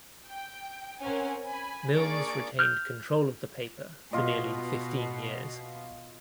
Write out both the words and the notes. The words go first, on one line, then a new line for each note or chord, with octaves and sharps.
Milnes retained control of the paper for nearly fifteen years.
G5
C4 C#4 A#4 F#5 G#5
G#5 B5
A#3 D4 G#4 D5 C#6 D7
F6 G6
B2 F4 D#5